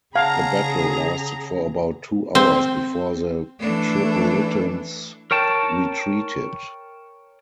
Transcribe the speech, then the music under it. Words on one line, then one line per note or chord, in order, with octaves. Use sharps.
The battle lasted for about two hours before the Tripolitans retreated.
C#3 G#4 F5 F#5 A5 A#5 G#6
C4
E3 A3 D4
A#4 C#5 G5 A5